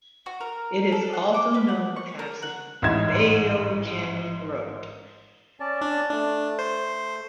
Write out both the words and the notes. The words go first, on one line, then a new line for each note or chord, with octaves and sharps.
It is also known as Bayo Canyon Road.
F#4
A#4
A4
F#5
D6
B4
F#5
C#6
A#4
F#5
A1 G#2 D#4 E4 G#6 E7
C#4 D5 A5
D4
A3 D4
C5